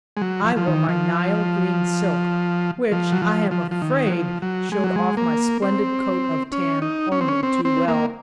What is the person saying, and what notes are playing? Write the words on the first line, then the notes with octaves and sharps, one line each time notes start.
I wore my nile-green silk, which I am afraid showed off my splendid coat of tan only too well.
G#3
F#3
F3
F3
D#3
F3
F3
F#3
F3
F3
F3
D#3
F#3
F3
F#3
G#3
F#3
G#3
A#3
C4
C#4
D#4
C#4
C4
C#4
C4
C4
A#3